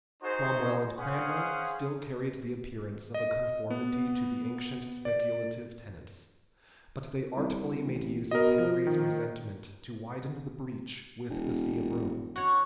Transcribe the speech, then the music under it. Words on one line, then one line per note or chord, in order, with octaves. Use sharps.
Cromwell and Cranmer still carried the appearance of a conformity to the ancient speculative tenets; but they artfully made use of Henry's resentment to widen the breach with the see of Rome.
D#4 F#4 G#4 C5
C#4 G#4 C5 F5 F#5
D#5
B3
D5
C2
A1
B2 A#4 D#5
F3
D#3
E1
F#4 C#5